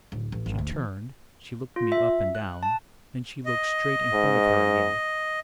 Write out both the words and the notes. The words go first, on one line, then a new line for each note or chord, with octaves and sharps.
She turned, she looked me up and down, then she looked straight in front of her again.
D1
A1
G#1
D2
E3
F4
E5
F#6
A5
D#5
G#2